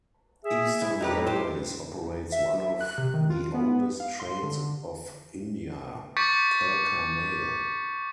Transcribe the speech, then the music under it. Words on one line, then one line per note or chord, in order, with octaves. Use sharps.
Eastern Railways operates one of the oldest trains of India, Kalka Mail.
G#4 E5
E4
F2 F#3 D#4 G4 B4
G4 C5
E5
F#6
C3
D#3
F4
B3
F5
C6
D3
C#6 D6 G6 A6 B6 C#7